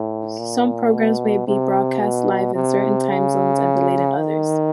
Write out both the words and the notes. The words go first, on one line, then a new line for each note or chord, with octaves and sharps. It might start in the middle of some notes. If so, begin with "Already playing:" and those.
Some programs may be broadcast live in certain time zones and delayed in others.
Already playing: A2
A#2
B2
C3
B2
C3
C#3
D#3